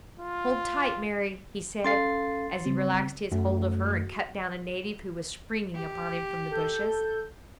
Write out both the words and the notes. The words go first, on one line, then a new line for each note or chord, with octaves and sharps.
"Hold tight, Mary," he said, as he relaxed his hold of her and cut down a native who was springing upon him from the bushes.
F4
C#4 A4 F5 C6 A6 C7
C#3 G3 C4
F#2 A3 F#4
G4
A4 G6